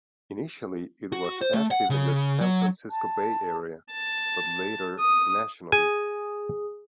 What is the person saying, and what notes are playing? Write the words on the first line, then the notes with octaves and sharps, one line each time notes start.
Initially it was active in the San Francisco Bay area, but later, nationally.
F#4
C5
A3
F#5
C#3
F#3
A5
A5
D#6
G#4 G#5